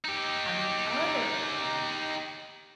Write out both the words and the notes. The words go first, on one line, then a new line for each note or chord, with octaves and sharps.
On the other hand,
D#4 G4